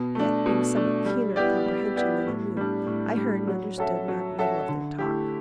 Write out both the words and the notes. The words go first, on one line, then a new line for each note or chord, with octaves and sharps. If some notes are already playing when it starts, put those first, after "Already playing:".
Yet, being somewhat keener of comprehension than they knew, I heard and understood not a little of their talk.
Already playing: B2
A3 D4
B2
A3 D4
G3
B3 E4 G4 D5
G3
B3 E4 G4 D5
A2
G3 D4
A2
G3 D4
F#3
C#4 F#4 A4 E5
F#3
C#4 F#4 A4 E5
D3
A3 E4 G4